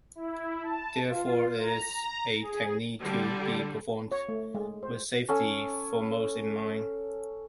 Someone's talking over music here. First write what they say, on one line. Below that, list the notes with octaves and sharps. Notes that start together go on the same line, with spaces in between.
Therefore, it's a technique to be performed with safety foremost in mind.
E4
A5
F4
A#5
G#4
D3 G3
C#5
A3
G#3
C5
C#4 A4 G#5